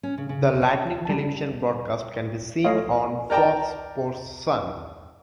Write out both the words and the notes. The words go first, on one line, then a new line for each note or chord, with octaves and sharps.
The Lightning television broadcasts can be seen on Fox Sports Sun.
C#4
C#3
C#3
C#5
G3 A5
A3 C#5 D#5 F5
A#4 D5 G5 A5 A#5